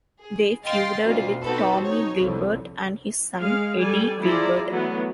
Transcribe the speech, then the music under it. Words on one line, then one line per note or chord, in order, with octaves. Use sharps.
They feuded with Tommy Gilbert and his son, Eddie Gilbert.
G#4
D#5 F5 G5 C6 A6
D2 B2 F4
B3 C4 D#4 F#4 A4 B4
D#4 C#5
C2 F2 D3
G#3 G#4 F5
G3 A4 D5 G#5
F3 E4 F4 G#4 D5 A#5
E3 F#3 A3 B3 E4